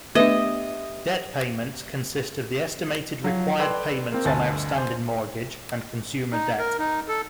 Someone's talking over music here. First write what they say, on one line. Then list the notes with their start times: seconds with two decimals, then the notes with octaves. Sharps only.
Debt payments consist of the estimated required payments on outstanding mortgage and consumer debt.
0.15 A3 B3 D4 G4 B4 D#5 E5
3.23 F3 F#3 F5
3.59 A4 B4 D5 G5 C6
4.12 A#3 C4
4.25 G1 D2 G#5 A5 A6
4.74 C5 G#5
6.32 D#4
6.59 A#4
6.79 D#4
7.08 A4